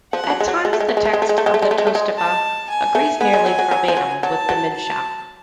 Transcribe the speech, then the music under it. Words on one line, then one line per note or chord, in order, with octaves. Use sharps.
At times the text of the Tosefta agrees nearly verbatim with the Mishnah.
F3 F#5
F3
F#3
G#3
F#3
G#3
A3
G#3
A3
G#3
A3
G#3
A3
G#3
A3
G#3
A3
G#3
A3
G#3
A3
G#3
A5
G#5
A3
B3 G#5
G#3
F#3
F#3
F#3
F3
F#3
F#3 A5
F#3
A5